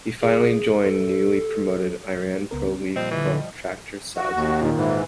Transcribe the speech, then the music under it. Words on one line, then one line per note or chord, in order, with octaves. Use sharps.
He finally joined newly promoted Iran Pro League club Tractor Sazi.
G#4
A4
C#2 B3 A#4
C#4
A#2 F3 G3 C4 D#5
D3 E3
F#4
D#2
A#2 D#3
G#2 E3